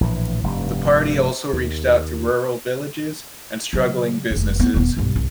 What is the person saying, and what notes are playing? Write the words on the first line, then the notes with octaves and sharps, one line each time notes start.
The party also reached out to rural villages, and struggling businesses.
A#1 A2 E3
F1 G2
D#2
C#3 F#3
F1 D#2
B3 C4
D#1 B3
B1 G2
C2